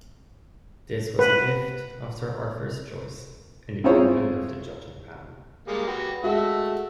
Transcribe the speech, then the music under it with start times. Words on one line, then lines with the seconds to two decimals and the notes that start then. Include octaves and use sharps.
This was a gift of Sir Arthur's choice, independent of the judging panel.
1.19 B4
3.84 C4 E4 F4 G#4 C5 C#5
5.68 G3 G#3 A#3
5.87 F#4 G4 B4
6.24 G#3 A3 F#4 E5 E6